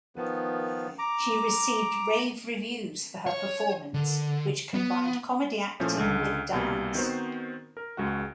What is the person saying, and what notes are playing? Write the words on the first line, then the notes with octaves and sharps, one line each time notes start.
She received rave reviews for her performance, which combined comedy acting with dance.
D#3 F3 B3
A#5 D6
C#5
D3
B3
A#2 F3 A3 C#4 E4
C#2 D3
C2 B2 G3 A#3
D#3 B3 C4 D#4 F#4 C5
A#4
C#2 G#3 F#4 F#5